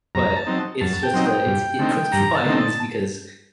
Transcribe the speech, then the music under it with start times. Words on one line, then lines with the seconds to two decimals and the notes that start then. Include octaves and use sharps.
but it's just, uh, it's it puts people at ease because
0.15 F#2 A#5
0.36 A5
0.47 F#3 C4 D#4
0.81 F#2 A5
1.03 G5
1.13 F#3 C4 D#4
1.25 G5
1.46 G2
1.79 D3 A3 C4 D#4
2.12 G2 A#5
2.35 A5
2.45 D3 A3 C4 D#4
2.57 A5